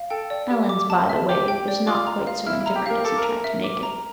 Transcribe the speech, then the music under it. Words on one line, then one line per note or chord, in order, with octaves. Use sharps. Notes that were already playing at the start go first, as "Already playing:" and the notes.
Alan's "by the way" was not quite so indifferent as he tried to make it.
Already playing: F5
A4 G5
D5
G4
D6
A5
E5
G4 D6
G5
D5
F4 D6
A#5
F5
E4 F6
E4
A#5
G4
A#4 F5
A4 D6
A#4
A#5
E5
D6
A#5